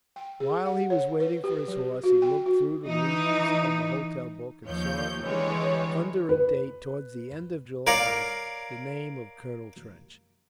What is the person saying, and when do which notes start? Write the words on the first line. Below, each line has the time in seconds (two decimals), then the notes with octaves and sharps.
While he was waiting for his horse he looked through the leaves of the hotel book, and saw under a date towards the end of July the name of Colonel Trench.
0.16 G5
0.40 G#4
0.65 F#5
0.90 C#5
1.20 B4
1.44 G4
1.68 F#3
2.04 F#4
2.22 G5
2.46 F#4
2.84 E3 D#4
4.65 D#2 F3 C#5 G6
5.23 D3 E3 G3 G#3 C#5
6.29 B4
7.87 A#4 C#5 D5 F5